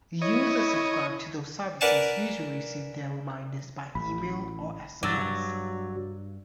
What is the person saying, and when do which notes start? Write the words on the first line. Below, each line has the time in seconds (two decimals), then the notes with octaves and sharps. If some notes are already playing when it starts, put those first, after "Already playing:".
Users subscribed to those services usually receive their reminders by email or sms.
0.22 E4 C#5 D#5
1.81 A#4 B4 D5 F#5 G#5 A5
3.95 A1 B5
5.03 G2 F#3 D6 E6 A6